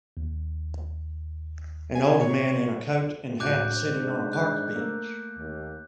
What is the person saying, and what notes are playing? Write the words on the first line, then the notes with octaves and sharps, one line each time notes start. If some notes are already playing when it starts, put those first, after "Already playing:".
An old man in a coat and hat sitting on a park bench.
D#2
G#5
C#5
D1 G#3 D4 F#4 D6 F#6 G6
G#2 D4 C5
F#6
A3 A#3
D#2